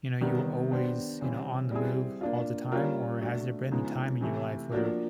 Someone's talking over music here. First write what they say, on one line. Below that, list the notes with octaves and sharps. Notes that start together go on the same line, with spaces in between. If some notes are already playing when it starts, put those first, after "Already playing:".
you know, you were always, you know, on the move all the time or has there been a time in your life where
C3 D#3 G3 B3
B3 D4 G4 C5
C#3 E3 G3 C4
G3 C4 E4 G#4
A#3 D4 F4
G3 A#3 C#4 F4 A#4
A3 D4 F#4
C#3 F3 G#3 B3 D#4
C3 E3 A3
F3 A#3 D4 F#4